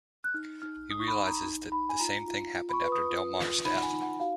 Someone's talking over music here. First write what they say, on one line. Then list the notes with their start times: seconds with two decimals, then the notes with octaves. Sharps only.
He realizes that the same thing happened after Delmarre's death.
0.24 F#6
0.34 D#4 F6
0.62 D#4 F6
0.90 D#4 D#6
1.00 C#6
1.08 B5
1.17 D#4
1.27 A#5
1.44 D#4
1.72 D#4 B5
1.89 G#5
1.99 F4 A#5
2.28 F4
2.55 F4
2.69 B5
2.73 C#6
2.82 B4
2.92 D#6
3.10 F4
3.38 F4
3.65 D#4 B5
3.77 F#5
3.83 G#5
3.92 D#4
4.02 F#5
4.20 F#4 F5